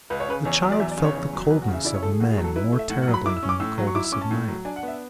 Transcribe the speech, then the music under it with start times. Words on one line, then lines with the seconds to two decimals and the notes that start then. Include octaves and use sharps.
The child felt the coldness of men more terribly than the coldness of night.
0.10 C#2 B4
0.20 C#5
0.28 C#3 B4
0.45 E2 C#5
0.62 F#3
0.72 D5
0.80 E2 E5
0.91 D5
0.97 C#3
1.04 C#5
1.15 E2 C#5
1.33 F#3
1.50 E2 B4
1.62 F#4
1.68 C#3
1.74 E5
1.85 E4 D5
1.94 C#5
2.02 A3 A4
2.12 G#4
2.20 A2 F#4
2.31 G#4
2.38 F#3
2.44 A4
2.56 E4 B4
2.72 A3
2.79 E5
2.90 A2 F#5
3.02 F#5
3.08 F#3
3.14 B5
3.26 E4 D6
3.37 E6
3.43 C#4
3.49 D6
3.60 A2 E6
3.78 F#3
3.87 C#6
3.95 E4 D6
4.04 E6
4.12 C#4 D6
4.21 A5
4.31 A2
4.48 F#3
4.65 D4 G#5
4.76 F#5
4.83 B3 E5